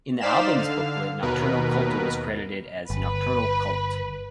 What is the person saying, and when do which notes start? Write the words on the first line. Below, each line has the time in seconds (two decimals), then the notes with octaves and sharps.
In the album's booklet, Nocturno Culto was credited as "Nocturnal Cult".
0.21 D#4 C5 D5 F5 B6 E7
0.54 D3 F5
1.22 D#2 B2 A#4 B4
2.90 G1 B4